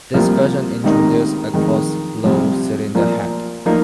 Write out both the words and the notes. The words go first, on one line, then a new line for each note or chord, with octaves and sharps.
This version introduced a cross-flow cylinder head.
C2 C3 F3 A#3 F4
C#2 C3 D#3 A#3 D#4
F2 D#3 G#3 D#4 A#4
C2 C3 F3
A#2 F3 A#3 F4
F3 A#3 D#4